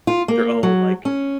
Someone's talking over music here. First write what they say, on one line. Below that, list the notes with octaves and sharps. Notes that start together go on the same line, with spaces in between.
their own, like,
F4
A#3
F#3
C#4